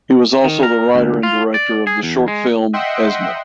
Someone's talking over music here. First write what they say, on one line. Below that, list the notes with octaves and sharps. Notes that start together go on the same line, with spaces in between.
He was also the writer and director of the short film "Esma".
D#3
A#4
D2
F4
D5
G#4
E2
G#3
D#5 E5 F#5 G5 C6